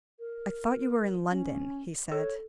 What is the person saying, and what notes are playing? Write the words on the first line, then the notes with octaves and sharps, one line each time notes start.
"I thought you were in London?" he said.
A#4
C#4
A4 C#5